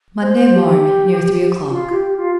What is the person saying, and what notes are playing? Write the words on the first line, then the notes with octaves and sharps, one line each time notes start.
'Monday morn, near three o'clock.'
C5
C5
G4
G4
F4
G4
F4